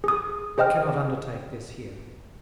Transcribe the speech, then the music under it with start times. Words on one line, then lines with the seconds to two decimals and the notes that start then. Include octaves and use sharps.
We cannot undertake this here.
0.04 G#4 D#6
0.58 G#4 C5 D#5 G5 F6